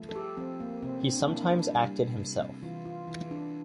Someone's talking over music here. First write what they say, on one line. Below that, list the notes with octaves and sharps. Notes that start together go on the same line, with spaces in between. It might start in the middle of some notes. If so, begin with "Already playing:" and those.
He sometimes acted himself.
Already playing: F3 A3
A4
G4
F3 C4
A#3
C3 C4
C4
D4
D4
A#3 E4
D4
G3
C3
E3 F4
F4
E3
D4